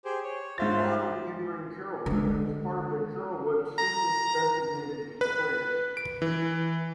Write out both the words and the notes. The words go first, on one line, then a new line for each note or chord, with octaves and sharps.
Along with neighboring Carrollwood, it is part of the Carrollwood census-designated place.
G4 G#4 C5
C#5
G#2 F4 C5 E5 A6
D3 G#3
A#5
B4
D7
E3